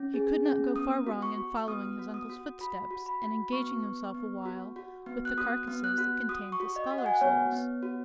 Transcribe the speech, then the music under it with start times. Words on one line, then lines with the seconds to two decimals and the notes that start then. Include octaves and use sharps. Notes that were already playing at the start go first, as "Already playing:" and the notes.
He could not go far wrong in following his uncle's footsteps, and engaging himself awhile with the carcases that contained the scholar souls.
Already playing: C#4
0.14 G#4
0.45 C#4
0.76 B3 D#6
1.07 F#4
1.22 C#6
1.38 F#4
1.68 B3 D#6
1.99 F#4
2.14 D#6
2.29 F#4
2.60 F#4 B5
2.91 F#4
3.06 B5
3.22 F#4
3.53 B3 C#6
3.84 B3
4.14 B3
4.45 F#4
4.76 F#4
5.06 B3
5.25 F#6
5.38 F#4 D#6
5.67 B3
5.84 F#6
5.98 F#4
6.29 F#4 D#6
6.52 C#6
6.60 F#4
6.76 D#5
6.91 F#4
6.98 F#5
7.06 G#5
7.14 F#5
7.21 B3 C#5
7.52 B3
7.83 F#4